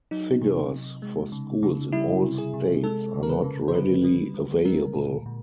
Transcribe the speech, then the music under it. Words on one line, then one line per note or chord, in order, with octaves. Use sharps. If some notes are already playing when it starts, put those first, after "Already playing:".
Figures for schools in all states are not readily available.
F#3 D#4
C3
C3
G#3
C#3
C#3
G3 E4
C3
G#4
C3
G#3 A4
C#3
A#4
B4
C#3
C5
D3 B4
G3
D3
G#3 A#4
A#2
A#2